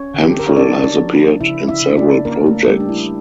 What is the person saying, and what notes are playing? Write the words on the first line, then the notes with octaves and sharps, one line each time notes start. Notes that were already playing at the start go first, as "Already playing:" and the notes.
Hemphill has appeared in several projects.
Already playing: C#4 C#5
D3
G4
A4
A#4
C#5
C#4 D4 D5
F3
C#3 E4 E5
E4 E5
C#3
D4 D5
A#3 C#4 A#4
A3 A4
A4
G3 A3 G4
D4
E4